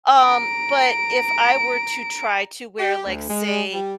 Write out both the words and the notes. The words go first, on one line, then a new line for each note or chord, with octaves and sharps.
Um, but if I were to try to wear, like, say,
A#5 D7
G4
D2
G#3
G3